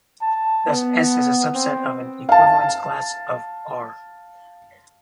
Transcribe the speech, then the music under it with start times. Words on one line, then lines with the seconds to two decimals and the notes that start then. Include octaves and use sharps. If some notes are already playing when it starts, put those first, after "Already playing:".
Thus, "S" is a subset of an equivalence class of "R".
0.22 A5
0.67 B3
1.55 C4
2.29 F5 A5